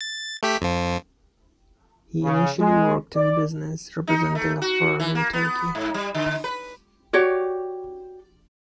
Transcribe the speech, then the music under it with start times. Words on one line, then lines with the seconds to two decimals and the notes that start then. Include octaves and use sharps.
He initially worked in business, representing a firm in Turkey.
0.01 A6
0.43 A3 G4 B6
0.62 F2 F3
2.23 C#3
2.59 G#3
3.16 D5
4.07 D#4
4.35 A3
4.62 F#4
5.00 E3
5.15 A#3
5.33 B3
5.75 G#2
5.94 G3
6.15 D3
6.44 B4
7.13 F#4 G4 C#5 D5